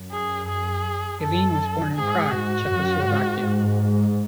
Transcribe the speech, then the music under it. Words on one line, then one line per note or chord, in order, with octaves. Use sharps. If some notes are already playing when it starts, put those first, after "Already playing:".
Bellin was born in Prague, Czechoslovakia.
Already playing: F#2
G#4
G#4
F#2 A4
G#2 G#4
G#2 F#4
F#2
G#2